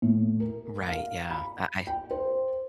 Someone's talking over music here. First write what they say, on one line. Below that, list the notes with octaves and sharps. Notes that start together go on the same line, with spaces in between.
Right, yeah, I I
A2
A#4
F5
B5
G5
C5